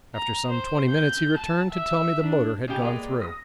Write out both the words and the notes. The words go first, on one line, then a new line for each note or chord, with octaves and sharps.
After some twenty minutes he returned to tell me the motor had gone through.
A#5
C5
G6
A5
E5
D4
C#3 D#4 G4
G#3 A#3 B3 D5 F7
D#6 A#6